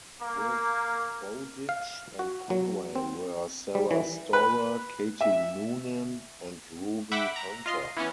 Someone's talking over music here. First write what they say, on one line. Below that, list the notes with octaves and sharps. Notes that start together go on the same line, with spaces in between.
With Bowditch and Conway were Sara Storer, Katie Noonan and Ruby Hunter.
A#3
F5
F#4
F#3
C4
G3
E3
B4
E5
E5 F#5 G5 B5 D6
A#5
F4 D#5 C6
E3 B3 C#4